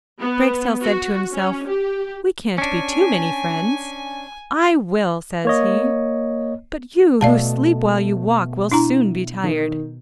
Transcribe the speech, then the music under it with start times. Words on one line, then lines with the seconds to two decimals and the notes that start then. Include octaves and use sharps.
Drakestail said to himself: 'We can't be too many friends.'... 'I will,' says he, 'but you who sleep while you walk will soon be tired.
0.20 B3
0.81 F#4
1.34 C#4
1.68 G4
2.58 C#4 D4 G#5
5.45 A#3 C#5 D#5
7.21 B2 A3 A4 D5 F5 A5
8.71 D4 E4 A#5
9.44 D#3